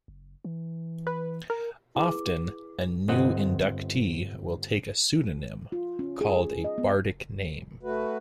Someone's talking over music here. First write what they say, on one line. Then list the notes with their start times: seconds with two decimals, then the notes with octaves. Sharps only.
Often a new inductee will take a pseudonym, called a bardic name.
0.08 F#1
0.45 E3
1.07 B4
1.50 A#4
1.95 E4 G#4 B4 D6
3.08 G1 C4 D#5 F#5
5.72 F4
5.99 C#4
6.21 G#4
6.64 D#5
6.78 B3
7.05 F#1
7.83 A3 F#4 B4